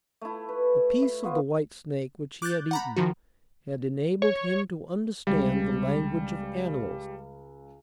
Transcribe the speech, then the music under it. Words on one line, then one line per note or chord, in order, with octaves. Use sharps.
The piece of the white snake which he had eaten had enabled him to understand the language of animals.
A3 E4
B4
E5
B3 F4 C#5
D6 F#6 G6 A6
F#5 A#5 B5
D#3 F3 F#4
C#5
C#2 G3